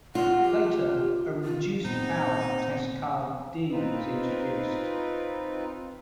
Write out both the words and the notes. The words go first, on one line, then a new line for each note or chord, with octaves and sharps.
Later, a "Reduced Power" Test Card D was introduced.
F4 F#5
G4
F4
A#2 B3 C4 D#4
C4 D#4 F4 B4